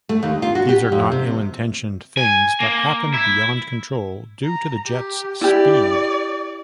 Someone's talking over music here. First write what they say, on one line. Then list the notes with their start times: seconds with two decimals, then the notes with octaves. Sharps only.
These are not ill-intentioned things but happen beyond control due to the jets' speed.
0.09 A3
0.23 D#2
0.42 F4
0.55 F#4
0.69 G4
0.92 F2
1.12 C3
2.17 G#5
2.60 A#3
3.14 E4
4.44 A#5
4.87 G4
5.41 E4 G4 D5